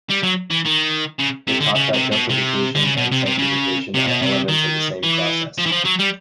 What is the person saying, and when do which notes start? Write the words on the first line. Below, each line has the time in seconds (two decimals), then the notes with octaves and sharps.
It taught that justification and sanctification are elements of the same process.
0.10 G3
0.23 F#3
0.50 E3
0.65 D#3
1.19 C#3
1.47 C3
1.60 D3
1.75 C#3
1.93 C3
2.11 B2
2.29 C3
2.75 D3
2.84 C#3
2.97 B2
3.12 C3
3.26 C3
3.38 C#3
3.94 C3
4.07 B2
4.22 C3
4.48 D#3
5.03 E3
5.58 F3
5.66 E3
5.72 F3
5.85 F#3
5.99 G3